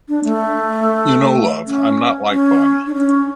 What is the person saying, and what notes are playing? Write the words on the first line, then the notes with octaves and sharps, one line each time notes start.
You know, love, I’m not like Bonnie.
D4
A3
C#4
C#4
D4
C#4